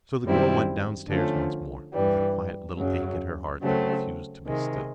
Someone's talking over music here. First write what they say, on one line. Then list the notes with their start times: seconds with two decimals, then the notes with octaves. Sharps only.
So the girl went downstairs once more, with a quiet little ache at her heart that refused to be still.
0.24 F#2 D#3 G3 C4 E4
1.08 D3 F3 A3 C#4
1.93 G2 E3 G3
2.77 F#2 C#3 F#3
3.61 C#3 F#3 A3 C4
4.45 C3 D#3 G#3